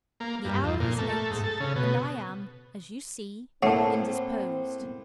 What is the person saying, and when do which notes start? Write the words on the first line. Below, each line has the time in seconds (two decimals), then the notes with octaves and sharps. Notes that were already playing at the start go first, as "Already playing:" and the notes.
The hour is late, and I am--as you see--indisposed.
0.20 A#3
0.45 G2
0.64 F2
0.80 A#2
0.98 A3
1.31 G#2
1.44 A4
1.60 C#3
1.76 B2
3.63 A2 A3 A#3 C4 C#5 F#5 A5